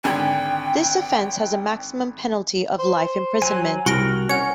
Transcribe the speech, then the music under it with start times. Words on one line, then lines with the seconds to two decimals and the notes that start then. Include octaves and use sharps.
This offence has a maximum penalty of life imprisonment.
0.04 G#1 D3 G5 G#5
2.79 C5
3.42 F#3 G#5 D#7
3.86 C2 F#4 A#4 A#6 D7 G7
4.29 C#4 C#5 F#5 C#7